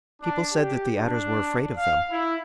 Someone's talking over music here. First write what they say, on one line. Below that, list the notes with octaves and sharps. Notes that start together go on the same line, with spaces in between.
People said that the Adders were afraid of them.
D4
G4
D4
F5
E4